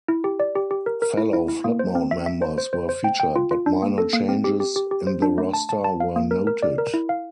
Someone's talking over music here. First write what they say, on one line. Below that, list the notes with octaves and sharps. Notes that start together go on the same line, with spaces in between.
Fellow Flipmode members were featured, but minor changes in the roster were noted.
E4
G4
D5
G4
G4
A#4
A#4
E4
E4
E4
A#3
C5
C4
E5
E5
C5
C5
C5
C5
G5
G5
F4
F4
D4
A#3
A4
A#3
C4
G4
G4
G4
G4
C5
D4
A3
A5
A5
A5
F5
A#3
A#4
A#4
D5
A#4
E4
F5